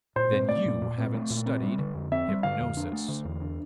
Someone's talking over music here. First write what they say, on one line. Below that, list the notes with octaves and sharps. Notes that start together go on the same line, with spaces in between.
Then you haven't studied hypnosis.
A#2 C5
C4
A3 D5
A#2
A#2
C4
A3
A#2
C4
G3
D3
F2
C4 E5
G3
D3 F5
F2
D4
A3
D3
E2
D4